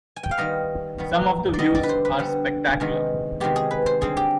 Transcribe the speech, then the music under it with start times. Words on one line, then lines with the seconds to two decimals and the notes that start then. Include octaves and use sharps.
Some of the views are spectacular.
0.16 G#5
0.23 G5
0.31 F5
0.38 D#3 G3 B3 D#5
0.98 D#3 G3 B3
1.53 D5
1.59 D3 G3 B3 D#5
1.75 D5
1.83 B4
1.89 C5
2.05 B4
2.19 D3 G3 B3
2.80 C3 D#3 G#3 B3
3.40 C3 D#3 G#3 B3 G4
3.56 G#4
3.71 B4
3.86 C5
4.01 D3 G3 C4 G#4
4.17 G4